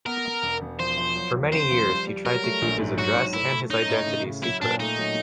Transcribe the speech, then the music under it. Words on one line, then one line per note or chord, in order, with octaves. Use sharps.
For many years he tried to keep his address and his identity secret.
B3 A#4
B3
E1
E1
F3 C5
F3
F#3
D#2
C#3 C5
F3
G3
G3
F#3 A#4
A3
A#1
G#2
F#3 F#4
G#2
A3 E4
A3
C#4 D#4
A2
C#3
C#3
F#3 E4
A#2 D4
A3 D#4
F#3